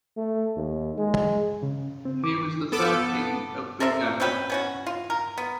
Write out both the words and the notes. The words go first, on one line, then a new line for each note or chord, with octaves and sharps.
He was the third king of Buganda.
A3
D#2
G#3
C#3
C4
D6
B3 A4 D6
A4 A#4 C5 E5
C4 C#4 B4 G5
B3 C#4 F#4
F4
A#4
B3